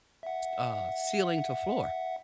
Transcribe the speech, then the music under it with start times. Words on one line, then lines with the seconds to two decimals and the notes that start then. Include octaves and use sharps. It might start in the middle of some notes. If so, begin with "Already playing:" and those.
uh, ceiling to floor.
0.23 E5 F#5